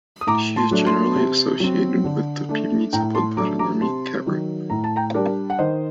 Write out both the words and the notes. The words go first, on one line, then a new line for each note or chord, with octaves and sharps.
She is generally associated with the Piwnica pod Baranami cabaret.
D#6
A2 A#5 D6
A5 C6
F#3 A3 D4
A5 C6
C3
F#3 C4
D3
A3 D4
A2 G5 A#5
A5 C6
F#3 A3 D4 A#5 D6
A#5 D6
C3 A5 C6
D#3 F#3
A2 A#5
A5
G5 A#5
G3 D4 A#4 D5
F#5
D#3 C5 D#5